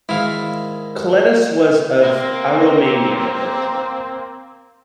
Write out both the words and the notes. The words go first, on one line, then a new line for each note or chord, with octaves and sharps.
Kolettis was of Aromanian origin.
G#2 D#3 E4 F5
A#3 C4